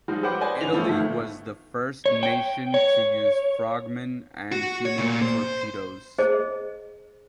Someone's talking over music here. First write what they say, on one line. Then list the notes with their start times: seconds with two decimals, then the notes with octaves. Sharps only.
Italy was the first nation to use frogmen and human torpedoes.
0.08 F3 G3 G#3 D#4 F#4
0.23 G4 B4 C5 F#5 D6
0.41 B4 C5 D5 D#5 G#5
0.61 G#2 D3 E3 C#4 F7
0.74 F3 G3 A3 B3 E4
0.89 G1 D#3 A3
2.06 C#5
2.23 G5
2.74 C#5
4.52 F#4
4.85 C#5
4.98 A#2
5.22 C5
6.19 G#4 C5 D#5